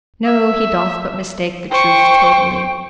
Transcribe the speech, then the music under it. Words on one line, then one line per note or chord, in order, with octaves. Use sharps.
No; he doth but mistake the truth totally.
E5
C5 G5 C#6